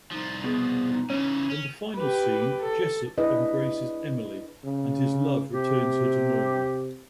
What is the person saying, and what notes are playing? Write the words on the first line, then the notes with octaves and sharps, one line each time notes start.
In the final scene, Jessup embraces Emily, and his love returns her to normal.
C2 F3 D#4
B2 G#4
D#4
C#3 E3 C#4
C#4
G4 B4
A4
D4 E4 G#4 B4 D#5
C#3
C3 G4